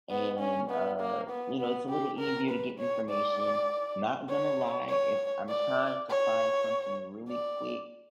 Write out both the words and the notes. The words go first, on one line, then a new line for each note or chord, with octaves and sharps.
and, uh, you know, it's a little easier to get information. Not gonna lie, if I'm trying to find something really quick,
B3
C#4
B3
A#3
B3
B3
G4
A#4
B4
C#5
D5
C#5
C#5
D5
C#5
D5